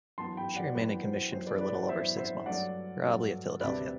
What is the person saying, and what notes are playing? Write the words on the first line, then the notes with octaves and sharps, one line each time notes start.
She remained in commission for a little over six months, probably at Philadelphia.
F#2 E3 B3 A5 C6
G5 B5
D5 F#5
F#2 E3 B3 B4
C5
F#2 E3 B3 C5
B4 D5
B4 D5
D5 F#5
F#2 E3 B3 C5 E5
C5 E5
G2 F#3 A3 D5 F#5
G2 F#3 A3
D2 C3 G3 C4 B4 D5